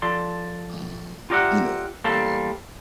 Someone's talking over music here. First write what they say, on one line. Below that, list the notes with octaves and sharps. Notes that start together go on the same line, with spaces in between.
um, you know, uh,
F3 A4 D5 C6
F4 G4 A#4 D5 E5 F#5
E2 G3 A#3 A4 C5 A5